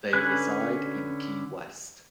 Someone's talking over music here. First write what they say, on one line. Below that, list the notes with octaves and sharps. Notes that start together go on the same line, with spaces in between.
They reside in Key West.
D3 C#4 B4 G#5 F#6